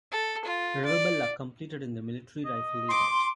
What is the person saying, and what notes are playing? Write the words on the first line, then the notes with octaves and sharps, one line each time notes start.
Rivabella competed in the military rifle event.
A4
F4
D5
D#5
C6 D6